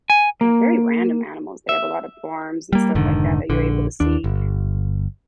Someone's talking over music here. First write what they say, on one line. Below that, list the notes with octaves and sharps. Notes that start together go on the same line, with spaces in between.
uh, very random animals. They have a lot of farms and stuff like that, that you're able to see,
G#5
A#3
E5
G3 A#3
F1 G#2 D3 D#3
A#1 D3
D#2 D4
G1